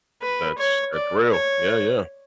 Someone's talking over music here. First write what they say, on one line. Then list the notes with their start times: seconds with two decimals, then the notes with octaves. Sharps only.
That's that's real. Yeah, yeah.
0.22 B4
0.58 C#5
0.94 D5
1.31 C#5